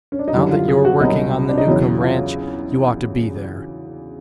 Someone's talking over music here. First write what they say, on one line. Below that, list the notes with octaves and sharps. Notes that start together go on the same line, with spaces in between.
Now that you're working on the Newcomb ranch you ought to be there.
C#4
D4
D#4
F#2 D3 G3 E4
F4
G#4
F#4
C2 B2 F#3 D#4
D4
D#4
E2 C#3 F#3 E4
F4